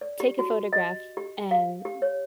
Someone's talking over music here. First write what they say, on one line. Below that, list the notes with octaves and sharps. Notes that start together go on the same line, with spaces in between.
take a photograph and m
D5
G4
F#4
D#5
G4
F5
G4
C#5